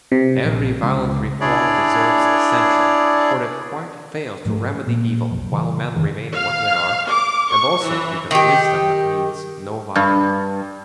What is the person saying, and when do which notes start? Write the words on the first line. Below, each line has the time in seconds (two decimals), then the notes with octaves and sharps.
Every violent reform deserves censure, for it quite fails to remedy evil while men remain what they are, and also because wisdom needs no violence.
0.12 C3
0.44 A#1
0.83 C#2
1.41 D4 E4 G#4 C#5 D5
4.45 G#2 F3 G3 A3
4.87 A#2
5.31 B1 F2
5.52 C#3 E3 G3
5.94 F1 F2 D#3 E3
6.33 F5
7.09 D6
7.50 C#6
7.83 E3
8.31 D#3 G4
9.96 G2